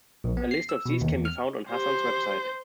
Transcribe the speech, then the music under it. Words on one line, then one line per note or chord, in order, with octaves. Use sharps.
A list of these can be found on Hassan's website.
A#1
B3
C7
E6
B2
D#2
E2
F6
G4 C5